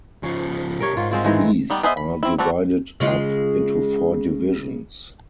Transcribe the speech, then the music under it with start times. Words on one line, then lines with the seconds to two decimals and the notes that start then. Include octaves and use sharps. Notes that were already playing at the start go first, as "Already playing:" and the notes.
These are divided up into four divisions.
0.23 C#3 F3 C#4
0.80 B1 G4 A#4 C#5
0.97 G#2 F4
1.11 G#3 C4 F4
1.25 D#3 E3 G#3
1.70 D#3 G3 B3
1.83 B3 G#4 C5 D#5 E5
1.97 B5
2.23 C4 E4
2.38 G3 A3 C4 F#4 A4
3.00 C#3 G#3 F4